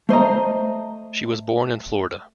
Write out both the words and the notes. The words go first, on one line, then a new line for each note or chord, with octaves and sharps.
She was born in Florida.
A3 C5 D#5 A#5